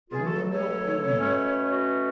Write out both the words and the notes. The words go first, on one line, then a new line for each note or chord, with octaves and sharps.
"In the milk-room."
C#2 B2 F#3 A3 F4 G#4
F#4 A4
A4 C#5
B2 A3 C#4
F#4 A4